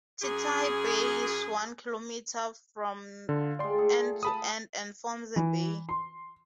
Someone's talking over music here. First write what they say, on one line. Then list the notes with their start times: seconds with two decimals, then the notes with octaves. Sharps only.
Titahi Bay is one kilometre from end to end and forms a bay.
0.22 F#2 G#4
3.29 D3 F4
3.59 G#3 A3 D5 G5 C6
3.78 A3 G#4 A4
4.23 A5 B5 D#6
5.36 E3
5.89 C6